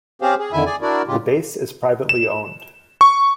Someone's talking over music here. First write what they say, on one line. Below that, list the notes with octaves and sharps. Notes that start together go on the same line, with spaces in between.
The base is privately owned.
C4 C#4 G4 G#4 C5 F5
G#4
F2 D3 D#3 E4 E5 G#5
G#4 D5 G#5
D4 E4 F#4 A#4 D5
A2 C#3 G#3 F4 G4
E7
C#6